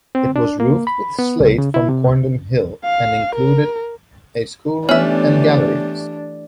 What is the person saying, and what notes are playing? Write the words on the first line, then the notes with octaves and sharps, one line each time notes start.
It was roofed with slate from Corndon Hill and included a schoolroom and galleries.
C4
D4
A#3
B5
B3
C2
C#3
E4
C3
F5
A#4
E3 A3 B3 C#4 D4 G4 C#5 E5